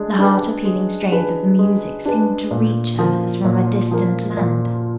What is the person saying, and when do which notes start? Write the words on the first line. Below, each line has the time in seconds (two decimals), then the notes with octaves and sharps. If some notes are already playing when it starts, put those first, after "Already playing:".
The heart-appealing strains of the music seemed to reach her, as from a distant land.
Already playing: G#3 D4
0.19 D4 G#4 B4
0.65 G#3
1.11 D4 G#4 B4
1.59 G#3
2.06 D4 G#4 B4
2.51 A#2
2.99 F3 A#3
3.45 A#2
3.91 F3 A#3
4.37 A#2